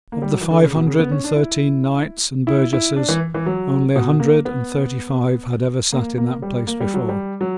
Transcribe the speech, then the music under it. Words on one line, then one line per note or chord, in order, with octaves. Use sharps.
Of the five hundred and thirteen knights and burgesses only a hundred and thirty-five had ever sate in that place before.
A#3
G3
F#3
E3
D3
C#3
B2
C#3
B3
C#4
D4
E4
E4
E4
D4
E3
E3
F#3
B2
A#3
B3
A#3
A#3
G3
A#3
G3
F#3
G3
F#3